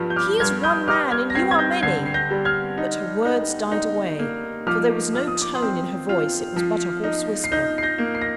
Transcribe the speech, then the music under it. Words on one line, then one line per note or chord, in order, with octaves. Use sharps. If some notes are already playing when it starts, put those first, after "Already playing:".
He is one man, and you are many; but her words died away, for there was no tone in her voice; it was but a hoarse whisper.
Already playing: G2 F3
G6
D6 F6
G2 F6 G#6
D#6 G6
G3 D6 F6
F6 G#6
A#6
C4 G#6 C7
G#6
G6 A#6
D3 G#6 C7
C7
G6 A#6
G3
F6 G#6
D#4
D#4
D#4
A#3
F3 D6 F6
F3 F6
D#6
D6
C6 D#6
C4
F4
F3
D#4
C7
D#4 G6 A#6
C7
G6 A#6
A#3
C7
A#6